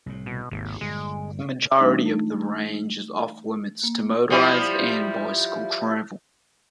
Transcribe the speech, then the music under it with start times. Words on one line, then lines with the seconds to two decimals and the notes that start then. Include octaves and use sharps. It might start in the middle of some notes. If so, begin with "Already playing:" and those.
The majority of the range is off-limits to motorized and bicycle travel.
0.06 C2 A2
0.26 B2
0.51 G#1 D#2 G#2 C3
0.81 G1 A#2 G#3
1.79 E3 G3 A3 D4 D#4
2.02 A3 D#4 F4
3.83 A#3
4.30 F3 G3 E4